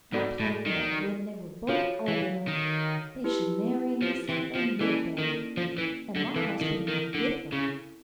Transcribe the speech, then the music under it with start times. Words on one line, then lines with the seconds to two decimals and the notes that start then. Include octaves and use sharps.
I planned that when they were both old enough, they should marry in the South and live there--and my husband and I with them.
0.13 G#2 F#4 A4 D5
0.40 A2
0.66 D#3
1.69 F3 F#4 A4 C#5 F5
2.08 E3
2.48 D#3
3.24 E4 G4 B4
4.02 F3
4.29 E3
4.55 F3
4.80 E3 A#3 C#4 E4 A4 D5
5.19 D#3
5.57 F3
5.78 E3
6.16 D3
6.36 E3 C4 E4 A4
6.61 D#3
6.88 D#3
7.14 D3
7.52 C#3